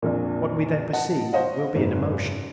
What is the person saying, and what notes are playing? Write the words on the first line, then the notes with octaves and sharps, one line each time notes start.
What we then perceive will be an emotion.
A#1 F2 A#2
D#5 F#5 A5
C5 C#5 D#5 F5 F#5
F#1 G#2 F#3 B4